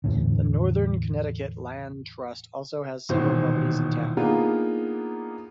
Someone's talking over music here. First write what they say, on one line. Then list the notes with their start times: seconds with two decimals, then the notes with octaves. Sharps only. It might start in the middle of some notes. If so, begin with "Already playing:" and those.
The Northern Connecticut Land Trust also has several properties in town.
0.04 E2 A2 D3
3.09 D#1 B2 D#3 E3 C5
4.17 A#3 B3 D4 D#4 F4 G#4